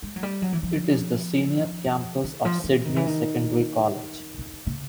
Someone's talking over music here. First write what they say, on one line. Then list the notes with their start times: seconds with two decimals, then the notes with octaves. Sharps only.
It is the senior campus of Sydney Secondary College.
0.03 G#3
0.16 F#3
0.23 G3
0.42 F#3
0.53 E3
0.63 F3
2.24 D#3
2.45 F3
2.64 E3
2.85 D#3
2.96 E3
3.07 D#3
4.67 C#3